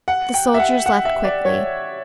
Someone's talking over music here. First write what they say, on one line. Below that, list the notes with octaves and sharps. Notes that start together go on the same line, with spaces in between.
The soldiers left quickly.
F#5
G5
E5
F#5
F#5
E5
D5
C#5